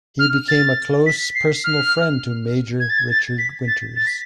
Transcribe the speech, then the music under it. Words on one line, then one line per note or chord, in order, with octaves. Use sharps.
He became a close personal friend to Major Richard Winters.
F6
A6
B6
C7
F6
G#6
A6
G#6
A6
B6
A6
A6
B6